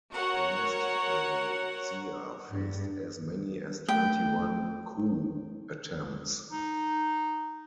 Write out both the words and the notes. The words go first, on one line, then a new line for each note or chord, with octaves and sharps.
Domestically, Zia faced as many as twenty-one coup attempts.
F#4 A#4 C#5 F#5
G2
A3 G5
D#4